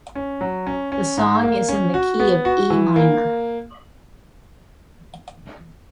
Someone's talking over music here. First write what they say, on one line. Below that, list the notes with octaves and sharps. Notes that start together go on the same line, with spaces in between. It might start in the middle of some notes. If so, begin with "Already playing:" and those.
The song is in the key of E minor.
C#4
F#3
C#4
C#4
G#2
A#3
C#4
F#4
B3
F#4
E3
A#3